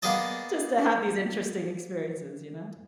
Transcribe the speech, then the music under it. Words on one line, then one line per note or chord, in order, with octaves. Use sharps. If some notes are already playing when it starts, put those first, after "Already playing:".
just to have these interesting experiences, you know?
A#3 B3 G#4 D5 D#5 A5